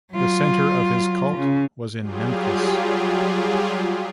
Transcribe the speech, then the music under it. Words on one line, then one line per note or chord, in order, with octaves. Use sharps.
The center of his cult was in Memphis.
F#3 F4
C#3
F#3 G3 F4 G4 G#4